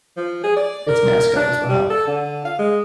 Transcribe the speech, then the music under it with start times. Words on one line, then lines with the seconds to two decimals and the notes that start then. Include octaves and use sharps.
Its mascot is the Hawk.
0.17 F3
0.44 G#4
0.56 D5
0.89 A#4
1.36 D4
1.69 G3
1.90 A4
2.07 D3
2.45 F5
2.59 G#3